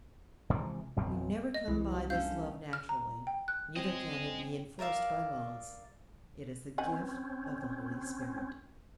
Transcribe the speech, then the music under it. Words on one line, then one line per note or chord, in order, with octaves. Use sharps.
We never come by this love naturally, neither can it be enforced by laws. It is the gift of the Holy Spirit.
C3 E3 F3 G#3
A1 F2 B2 C4
D#5
C2 E3
F#3
D3 A3 C#4 E5 F5 G6
F6
A#5
G5
F#6
C4 D#5 G#5
A#4 D5 E5 F5
D#3 C4 C#4 F#5 G#5